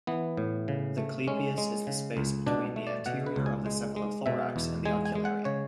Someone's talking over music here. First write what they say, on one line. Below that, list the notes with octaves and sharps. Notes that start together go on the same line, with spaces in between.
The clypeus is the space between the anterior of the cephalothorax and the ocularium.
E3 B3
A2
C#3
A3
G#3 C#4
G#3
C#3
C#2
B2 D4
A3
D5
B2 F#5
B4
C#2
G#5
G#3
G#3
B2 E5
E2
G#3 G#5
G#5
G#3
F#5
C#3 C#5